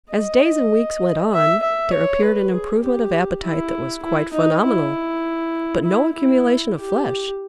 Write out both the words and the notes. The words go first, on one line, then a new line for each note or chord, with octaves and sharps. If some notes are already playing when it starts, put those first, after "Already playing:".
As days and weeks went on, there appeared an improvement of appetite that was quite phenomenal, but no accumulation of flesh.
D#5
E5
E5
C#5
B4
G#4
G4
E4
E4
D#4
E4
E4
E4
G4